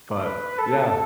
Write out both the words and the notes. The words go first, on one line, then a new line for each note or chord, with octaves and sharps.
but yeah.
B4
A4